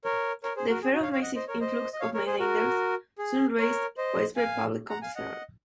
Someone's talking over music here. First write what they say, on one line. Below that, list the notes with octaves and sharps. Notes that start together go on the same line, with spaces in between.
The fear of massive influx of mainlanders soon raised widespread public concern.
A#4 C#5
A#4 C#5
G#4 C5
F#4 A#4
G#4
F#4
C#5 F5
C#5 F5
D#5 F#5
C5 D#5
A#4 C#5
C5 D#5
D#5
C#5 F5
A#4 C#5
G#4 C5
F#4 A#4
G#4
A#4 C#5
C5 D#5
F5 G#5
F#5 A#5
F5 G#5
D#5 F#5